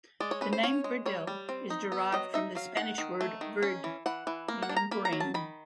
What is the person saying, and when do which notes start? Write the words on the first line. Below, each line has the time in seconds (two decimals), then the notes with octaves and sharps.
The name Verdel is derived from the Spanish word "verde", meaning "green".
0.20 G#3 D5
0.31 C#5
0.41 C#4 B4
0.53 C5
0.63 C#4 C#5
0.84 G#3
1.06 G3 C#5
1.27 G3
1.49 C4
1.70 D#4
1.92 B3
2.12 F#3 D#5
2.34 D#4 E5
2.55 F#3 F5
2.77 D#3 F#5
2.98 D#3
3.21 A3
3.41 D#3
3.63 C#4
3.84 E3
4.06 E3 F#5
4.27 E3
4.48 A#3
4.62 F#5
4.69 D4
4.76 A#5
4.91 A#3 B5
5.05 A#5
5.13 F#3
5.20 A5
5.34 D#3 B5